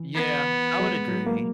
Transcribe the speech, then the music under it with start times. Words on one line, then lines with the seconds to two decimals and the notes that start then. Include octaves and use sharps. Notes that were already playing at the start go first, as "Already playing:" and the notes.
Yeah, I would agree.
Already playing: E3
0.15 B3
0.80 F#3
0.89 G#3
1.08 F#3
1.26 A#3